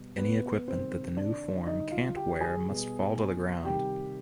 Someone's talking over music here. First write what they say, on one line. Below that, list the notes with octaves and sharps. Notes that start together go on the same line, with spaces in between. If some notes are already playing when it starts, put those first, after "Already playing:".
Any equipment that the new form can’t wear must fall to the ground.
Already playing: B2 G3
B3 B4
C3 D#3 G3 C4 C5
D4 D5
D3 G3 D#4 D#5
F4 F5
G4 G5
G#4 G#5
B2 G3
C3 D#3 G3 G4 G5